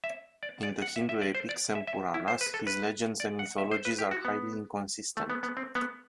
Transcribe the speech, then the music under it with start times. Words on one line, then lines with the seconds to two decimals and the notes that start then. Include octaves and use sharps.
In the Hindu Epics and Puranas, his legends and mythologies are highly inconsistent.
0.04 E5
0.43 D5
0.63 D5
0.82 F#5
0.96 E5
1.09 E5
1.22 D5
1.35 C5
1.49 D5
1.75 E5
1.87 E5
2.14 E4
2.28 C5
2.41 B4
2.54 A4
2.67 B4
3.20 D5
3.39 F#5
3.58 E5
3.71 C5
3.85 B4
3.99 G4
4.11 F#4
4.25 B3
5.17 A3
5.30 B3
5.43 B3
5.57 C4
5.75 B3